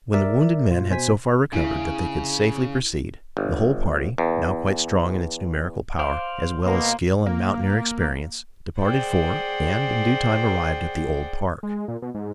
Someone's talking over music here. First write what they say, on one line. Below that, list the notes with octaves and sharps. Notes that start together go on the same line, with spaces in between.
When the wounded men had so far recovered that they could safely proceed, the whole party, now quite strong in its numerical power, as well as skill and mountaineer experience, departed for, and, in due time, arrived at the Old Park.
A#4 D5 E5
A#2 F4
B2 C5 G#5 B6
C#3 D4 E4 G#4
G1
E2
C5 D5 F5
B2 A#3
A#3
G#4 C5 D5 F#5 G5
G#3
A#2
B2
G#2